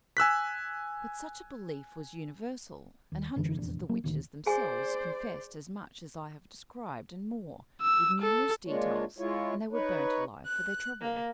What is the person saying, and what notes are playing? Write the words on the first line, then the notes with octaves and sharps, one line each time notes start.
But such a belief was universal, and hundreds of the witches themselves confessed as much as I have described, and more, with numerous details, and they were burnt alive for their trouble.
G#5 E6 F#6 B6
D#2
G1 F#2 D3 E3
F1 A#1 E2 D4
F#3 A#3
D2 A#2 D#3
G#4 C5 D5 G#5
E6
A4
G#3 A#3 D4 F4 C#5
G#3 E4 F4 C#5
D#4 B4 C#5
F#6
A#3